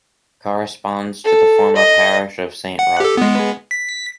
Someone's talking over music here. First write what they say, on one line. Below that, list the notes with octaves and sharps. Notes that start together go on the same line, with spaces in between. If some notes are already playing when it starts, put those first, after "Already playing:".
Corresponds to the former parish of Saint-Rodrigue.
A4
D#5
F#5
G4 A4
G#3 B3
B6